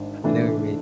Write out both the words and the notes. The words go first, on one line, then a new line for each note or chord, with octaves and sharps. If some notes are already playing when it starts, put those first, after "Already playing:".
I know what you mean.
Already playing: G#1 G#2 D4
E3 A3 D4